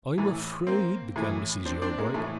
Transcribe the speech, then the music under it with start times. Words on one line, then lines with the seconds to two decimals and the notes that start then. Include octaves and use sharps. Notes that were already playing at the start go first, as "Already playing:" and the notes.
"I am afraid--" began Mrs. Yeobright.
0.18 A2 E3
0.67 A#3 C4
1.16 A2 E3
1.65 C4 D4
1.82 C4 D4
1.98 G#3 A#3
2.14 A2 E3 A3